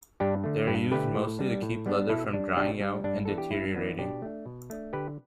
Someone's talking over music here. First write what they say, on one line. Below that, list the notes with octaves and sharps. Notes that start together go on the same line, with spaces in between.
They are used mostly to keep leather from drying out and deteriorating.
G2 D4 G4
D3 A3
G2 G4 B4
D3 A3 G4 B4
A2
G3 B3 D4
A2
G3 B3 D4
B2 E4 A4
G3 D4
B2 D4 G4
G3 D4
G2 D4
E3 B3 D4 A4
G4
G2 E4
E3 B3 D4
B2 D4 G4
A3 D4
B2
A3 D4
D3 G4 B4